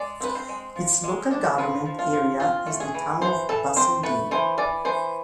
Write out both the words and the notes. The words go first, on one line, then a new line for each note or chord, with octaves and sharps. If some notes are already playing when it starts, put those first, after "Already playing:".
Its local government area is the Town of Bassendean.
Already playing: G#3 D5
C4 B4
C5
G#3
F3
G#3
D4
F3 B4
F3
F4
F3
C4 F4
A3
G#4
E3
E3 C5
E3 A4
C4 C5
A3 B4
E3 C5
E3 D5
E3 C5